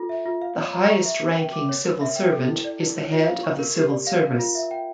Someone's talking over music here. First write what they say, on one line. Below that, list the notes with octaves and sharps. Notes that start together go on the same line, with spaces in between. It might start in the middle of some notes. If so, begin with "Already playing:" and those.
The highest ranking civil servant is the head of the civil service.
Already playing: F4 A4
E5
F4
F5
C#5
A#5
C#6
E5
A#4
G5
D6
C#5
A#4
E5
G5
A4
E4
D5
E4
C#5
F4
F5
C#6
A#4
G4
D5
F5
A#4
F4
E5
G5